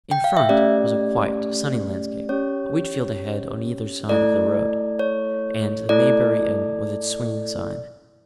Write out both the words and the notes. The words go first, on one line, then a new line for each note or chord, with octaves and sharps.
In front was a quiet sunny landscape, a wheat field ahead on either side of the road, and the Maybury Inn with its swinging sign.
G5
F5
E5
A3 C#4 G4 D5
C#4 G4 C#5
A3 E4 A4 D5
C#5
A3 E4 A4 D5